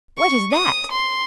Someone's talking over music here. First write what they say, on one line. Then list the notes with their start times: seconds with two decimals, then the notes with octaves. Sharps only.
"What is that?"
0.18 C#6
0.52 D#6
0.91 C6